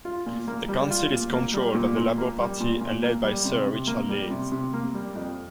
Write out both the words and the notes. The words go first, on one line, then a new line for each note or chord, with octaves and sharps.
The council is controlled by the Labour Party and led by Sir Richard Leese.
F4
A#2
A#3
G3
F4
A#2
A#3
G3
A#2
A#2
A#3
G3
A#2
A#2
A#3
G3
C3
C3
A#3
G3
C3
C3
A#3
G3
F2